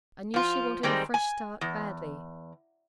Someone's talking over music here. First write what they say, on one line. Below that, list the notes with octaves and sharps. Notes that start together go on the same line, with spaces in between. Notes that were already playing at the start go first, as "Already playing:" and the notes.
I knew she wanted a fresh start badly.'
F3 F4
D#3 G3 G#3 C4
G#5
E2